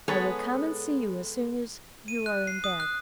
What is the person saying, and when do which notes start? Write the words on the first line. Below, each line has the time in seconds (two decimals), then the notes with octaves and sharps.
I will come and see you as soon as you are in bed.
0.08 G#3 B3 G#4 A4 C#5
2.08 D#7
2.26 F#6
2.47 C7
2.64 D#6
2.80 F#6